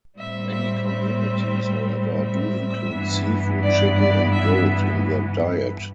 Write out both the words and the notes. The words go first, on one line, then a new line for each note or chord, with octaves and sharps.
Many communities, however, do include seafood, chicken, and goat in their diet.
A2 G3 C4 E5
E5
E5
E5
G2 E3 B3
D5
D5
E5